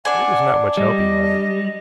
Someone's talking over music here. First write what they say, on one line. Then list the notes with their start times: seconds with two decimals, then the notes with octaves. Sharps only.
It was not much help he wanted.
0.05 D4 D5 F#5 G#5
0.77 G3 D#5